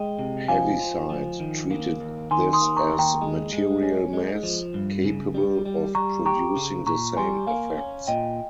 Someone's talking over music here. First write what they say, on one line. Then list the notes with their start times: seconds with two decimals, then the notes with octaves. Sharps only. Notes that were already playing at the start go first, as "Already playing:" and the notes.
Heaviside treated this as material mass, capable of producing the same effects.
Already playing: G#3 D#5 G5
0.19 C3
0.48 F3 F5 G#5
0.80 F3
1.10 F3
1.40 D#3
1.71 A#3
2.00 D#2
2.31 D#3 G#5 C6
2.53 C6 D#6
2.61 A#3
2.77 A#5 C#6
2.92 D#2
2.99 G5 A#5
3.21 G#3
3.53 G#3
3.83 C#4
4.13 G#3
4.43 F3
4.74 G2
5.04 C#3
5.34 G3
5.65 G3
5.95 G3 A#5 C#6
6.26 G4 A#5 C#6
6.56 C#3
6.86 A#2 A#5 C#6
7.17 G3 G#5 C6
7.47 A#3 F5 G#5
7.77 C#4
8.08 A#2 D#5 G5